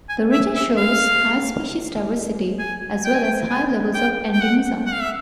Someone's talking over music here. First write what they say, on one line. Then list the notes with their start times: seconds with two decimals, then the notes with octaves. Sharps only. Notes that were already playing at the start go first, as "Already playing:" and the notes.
The region shows high species diversity as well as high levels of endemism.
0.09 G#5
0.32 E5
0.55 E5
0.77 F5
2.59 G#5
3.05 G5
3.14 G#5
3.24 G5
3.50 G#5
3.94 G5
4.33 G5
4.41 F#5
4.86 F#5
4.93 F5
5.02 E5